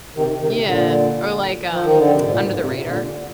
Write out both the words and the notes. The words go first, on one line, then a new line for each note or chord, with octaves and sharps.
Yeah, or like, um, under the radar.
C3 D#3
C3 D#3
A#2 D3
F3
D#3
D3
C3
G#2
A#2
G#2
C3
A#2
A#2 D3